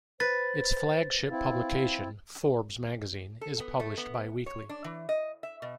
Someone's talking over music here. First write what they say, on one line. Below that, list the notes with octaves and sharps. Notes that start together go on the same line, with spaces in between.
Its flagship publication, "Forbes" magazine, is published bi-weekly.
B4 C5 A6
C4 E4 F5
A4
B3
A3
B3
C#5
D4
E3
D#5
E5
B2